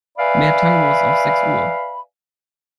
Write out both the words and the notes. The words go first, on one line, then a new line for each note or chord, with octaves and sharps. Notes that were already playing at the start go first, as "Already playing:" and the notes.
Mehr Tangos auf sechs Uhr.
B4 D5 E5 F5 G#5 B5